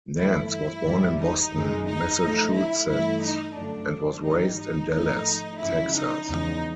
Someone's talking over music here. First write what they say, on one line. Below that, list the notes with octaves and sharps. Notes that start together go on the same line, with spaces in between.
Nance was born in Boston, Massachusetts and was raised in Dallas, Texas.
G2 E3 A3 E4
E4
G#2 E3 G3
D#4
F#2 D#3 G#3
D#4
A2 F3 A3
E4
G2 E3 A3 E4
D#4
F#2 D3 F3 A3 D4
G#2 E3 G3 D#4
D#4
G#2 F3 A3 D#4
F#2 C#3 F3 G#3 E4
D#4
E2 C#3 F3 G#3 D#4